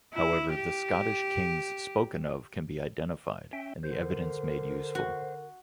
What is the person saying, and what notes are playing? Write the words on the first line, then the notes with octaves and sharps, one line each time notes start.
However, the Scottish kings spoken of can be identified, and the evidence made useful.
E4
G4
C#4 E5 G5
D3 A#4 C5
F#4